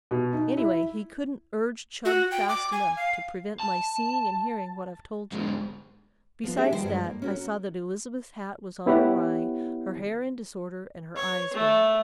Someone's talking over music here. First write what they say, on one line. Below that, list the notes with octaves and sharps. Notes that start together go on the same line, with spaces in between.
Anyway, he couldn't urge Chub fast enough to prevent my seeing and hearing what I've told you. Besides that, I saw that Elizabeth's hat was on awry, her hair in disorder, and her eyes red.
B2
D#4
E4
F#4
G5
D6
G#5
F5
A5
E2 G#2
F3 B3 C4 F4
C#4 D4 G4 G#4 E5 F#5
D#3 F3 G3 F#4 C5 G5
G2 F3 G#3
A#3
C#4 F#4 A#4
B3 E4 G4 C#5 F#5
C#5
A3